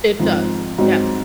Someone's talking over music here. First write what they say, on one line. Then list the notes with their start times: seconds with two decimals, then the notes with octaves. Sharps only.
It does, yes.
0.20 G#2 F3 C4
0.78 G#2 F#3 C4 D#4